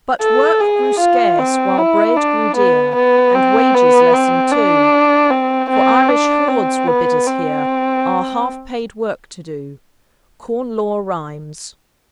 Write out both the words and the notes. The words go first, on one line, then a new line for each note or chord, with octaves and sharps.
'But work grew scarce, while bread grew dear, And wages lessened, too; For Irish hordes were bidders here, Our half-paid work to do.' CORN LAW RHYMES.
A4
G#4
F4
C4
E4
D4
B3
B3
C4
B3
C4
D4
C4
C4
D4
C4
B3
C4